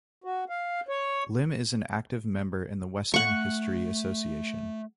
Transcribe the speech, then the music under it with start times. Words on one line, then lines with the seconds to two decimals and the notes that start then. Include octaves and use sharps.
Lim is an active member in the Western History Association.
0.24 F#4
0.49 F5
0.88 C#5
3.14 A3 F#5 C#6